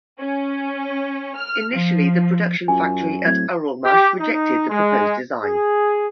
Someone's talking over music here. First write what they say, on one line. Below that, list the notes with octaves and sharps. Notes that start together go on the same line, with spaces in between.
Initially the production factory at Uralmash rejected the proposed design.
C#4
F6
F3
F#2 F4 G#5
A2 F#3 C4 G#6
G4
D#4
G#3
G#4